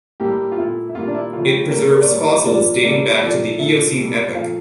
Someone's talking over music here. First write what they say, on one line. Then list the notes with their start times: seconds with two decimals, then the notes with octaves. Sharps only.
It preserves fossils dating back to the Eocene epoch.
0.20 A2 G3 A#3 G4
0.52 F4
0.58 A#2 A3 E4
0.89 E4
0.95 A#2 G3 A#3 F4
1.07 D4
1.14 E4
1.33 C#3 F3 A3 F4
1.45 G4
1.71 A2 G3 A#3 A#4
1.81 A4
1.89 A#4
2.01 D5
2.08 A2 G3 A#3 C#5
2.46 A#2 F3 A#3 D5
2.84 A2 G3 A#3 D5
3.13 E5
3.21 A#2 F3 A3 D5
3.59 A#2 A3 E5
3.97 A2 G3 A#3
4.35 A#2 F3 A3 F5